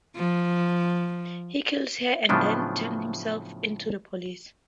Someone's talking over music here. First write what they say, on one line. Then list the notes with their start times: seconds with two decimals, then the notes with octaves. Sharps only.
He kills her and then turns himself in to the police.
0.16 F3
2.29 A2 C#3 F3 F#3 B3 D4